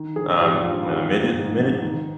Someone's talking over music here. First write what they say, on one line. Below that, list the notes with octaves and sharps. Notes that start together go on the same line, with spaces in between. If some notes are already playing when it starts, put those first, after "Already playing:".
um, uh, made it made it
Already playing: D#3
A#1 G#4
G#2 G4
A#1 F4
D#3 G4
A#1
G#2
A#1
D#3